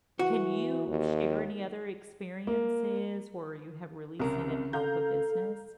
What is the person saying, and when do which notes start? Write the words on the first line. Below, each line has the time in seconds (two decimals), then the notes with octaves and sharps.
Can you share any other experiences where you have really seen it help a business?
0.19 E3 F#4
0.88 D#2
2.47 A#3
4.19 C2 C#3 A#4
4.73 A4 F5 A#5 G6